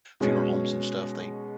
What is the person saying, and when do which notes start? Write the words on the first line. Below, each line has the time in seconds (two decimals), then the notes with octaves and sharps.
funeral homes and stuff, they
0.20 B2 G#3 C#4 G#4